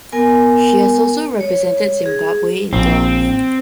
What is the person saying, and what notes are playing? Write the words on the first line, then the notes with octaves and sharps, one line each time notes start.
She has also represented Zimbabwe in golf.
B3 A#4 G#5
C#5
G#4
A#1 C4